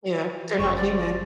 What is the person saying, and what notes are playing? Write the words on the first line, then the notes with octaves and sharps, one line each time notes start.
Yeah, they're not human.
G1 F#2 C5 C#6
D5